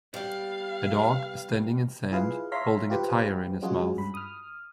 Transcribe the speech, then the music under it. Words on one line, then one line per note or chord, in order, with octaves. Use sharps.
A dog standing in sand, holding a tire in his mouth.
G3 B3 F5
E4 F4 G#4 B4 F5
C#5 E5 F5 A#5 C6 B6
F4 G4 B4 C5
F#3 G#3 C#4 F4 F#4 G#4
G2 B5
D#6 F6